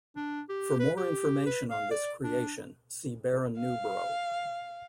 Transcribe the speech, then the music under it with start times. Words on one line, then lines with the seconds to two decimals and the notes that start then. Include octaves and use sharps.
For more information on this creation, see Baron Newborough.
0.16 D4
0.49 G4
0.80 B4
0.97 G4
1.47 B4
1.71 F5
1.91 D5
2.24 D4
3.58 F5